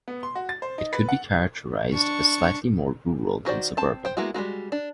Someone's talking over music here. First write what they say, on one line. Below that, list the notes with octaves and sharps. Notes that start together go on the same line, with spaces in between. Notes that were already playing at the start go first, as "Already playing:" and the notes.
It could be characterized as slightly more rural than suburban.
B3
C6
F#4
A6
C5
D#4
B4
F#5
D4 C#6
D#3 F#4 C5 D5
C4 A5
C5 G5
G#3 A#3 B3 E4 F#4
G3 G#3 A#3 F#4
D4